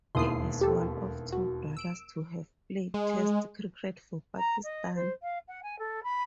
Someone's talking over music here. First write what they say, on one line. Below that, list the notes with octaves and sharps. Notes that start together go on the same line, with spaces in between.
He is one of two brothers to have played test cricket for Pakistan.
E1 D#2 E4 C6 D#6 C7
G4 A4
F#4
E6 D7
G#3
A#5
D#5
C5
F5
F#5
G#5
A4
B5